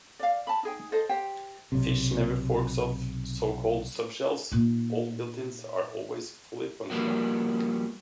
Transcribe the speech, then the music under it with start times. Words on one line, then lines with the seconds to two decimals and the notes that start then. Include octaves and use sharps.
Fish never forks off so-called subshells; all builtins are always fully functional.
0.19 D5 F5
0.47 A5 B5
0.63 D#4 G#4 G5
0.92 A4 C5 D#5
1.09 G4 C5 G5
1.72 B1 C3
4.52 A#2 D#4
6.90 F3 G3 A#3 B3 F#4